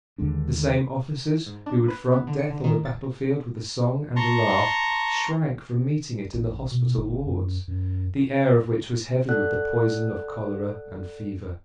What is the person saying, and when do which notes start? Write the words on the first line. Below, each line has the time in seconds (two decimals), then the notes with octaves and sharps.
The same officers who would front death on the battlefield with a song and a laugh, shrank from meeting it in the hospital wards, the air of which was heavy with the poison of cholera and fever.
0.18 D#2 D3 G#3 D4
1.46 G#2
1.66 D4
1.88 B4
2.12 B3
2.27 D3
2.39 C#7
2.50 D3
2.64 D#3
2.85 A6
4.16 A5 A#5 C6 C#6
6.33 A1
6.71 B2
6.97 G1
7.26 F#2
7.68 F#2
9.29 A4 D5 F#5 F#6